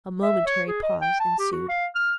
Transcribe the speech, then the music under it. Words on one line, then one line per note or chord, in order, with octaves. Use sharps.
A momentary pause ensued.
E5
C#5
G#4
D#5
G5
A5
G4
F#4
F5
F6